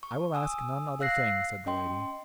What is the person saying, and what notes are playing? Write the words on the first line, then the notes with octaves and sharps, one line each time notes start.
I will ask none other thing, said the lady.
C#6
G#5 D#6 E6
F5 E6 F#6 A#6 C7
C#4 D#5 G5 C6